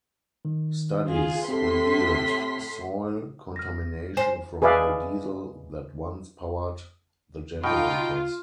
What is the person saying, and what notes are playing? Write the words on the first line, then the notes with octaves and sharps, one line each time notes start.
Studies revealed soil contamination from the diesel that once powered the generators.
D#3
F4 G#4
A2 C4 G4 A4 C6 B6
F6 A#6
C5 G#5
G#4 B4 D5 E5 F5
B2 D#4 F4 G5 F6